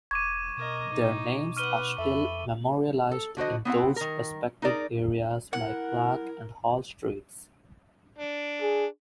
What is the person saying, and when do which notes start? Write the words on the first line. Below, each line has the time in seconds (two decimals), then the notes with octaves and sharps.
Their names are still memorialized in those respective areas by Clark and Hall Streets.
0.11 E1 C#6 D6 G#6 D#7
0.57 B2 A#4 D#5
0.92 D#4
1.57 B4 F#5 C#6 F6 D#7 G7
1.98 F2 A4 E5 B5
3.11 A4
3.37 D3 F#4 C5 D#5
3.65 B3 C4 E4 F#5
3.96 D#3 A#4
4.62 D#4 G#4 A#4 D5
5.53 E4 A#4 F#5
8.18 D4
8.62 G#4